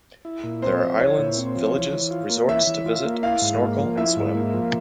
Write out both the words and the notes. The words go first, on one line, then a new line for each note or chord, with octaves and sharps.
There are islands, villages, resorts to visit, snorkel and swim.
E4
A#2
C4 C5
F3
E4 C#5
A#2
C4
F3
E3
E3
F4
A#3
E3 E5
E3
F4
A#3
E4 F5
G#2
A#3
F3
E4 E5
G#2
A#3
F3